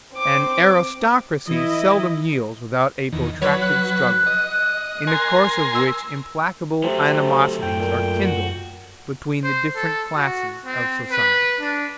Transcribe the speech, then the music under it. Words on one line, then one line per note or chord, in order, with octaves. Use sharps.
An aristocracy seldom yields without a protracted struggle, in the course of which implacable animosities are kindled between the different classes of society.
C4 D6
E3 E4 D#5
E2 D#3
F#3 B4 C#5
F#6
D#5
A#4 G#5 C6
E6
C3 F#3 A3
F#2 G5
A#2
F#4
C5
A4
F#4
C4
B4
D4